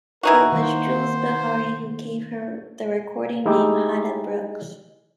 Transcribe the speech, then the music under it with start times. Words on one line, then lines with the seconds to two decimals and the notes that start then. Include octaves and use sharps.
It was Jules Bihari who gave her the recording name Hadda Brooks.
0.23 E3 D#4 F#4 A#4
0.52 D#3 A#3 C5
3.46 G#3 D#4 E4 G4